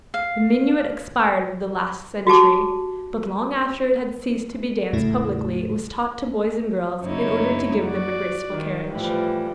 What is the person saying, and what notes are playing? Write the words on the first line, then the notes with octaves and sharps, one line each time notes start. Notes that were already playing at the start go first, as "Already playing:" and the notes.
The minuet expired with the last century: but long after it had ceased to be danced publicly it was taught to boys and girls, in order to give them a graceful carriage.
F5
F#4 G4 A5 D6
E2 A2 C#3 A3 E4
F#2 C#3 A#3 D#4 E4 C#5
F#4 D5
D#3
A2 E3 F3 G3